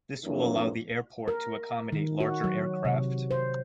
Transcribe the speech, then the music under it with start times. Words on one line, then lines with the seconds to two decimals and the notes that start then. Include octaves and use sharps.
This will allow the airport to accommodate larger aircraft.
0.24 F2 E3 F#3 A#3 D4
1.28 A#4
1.92 D#3
2.20 F#4
2.44 F#3
2.85 C3
3.31 C5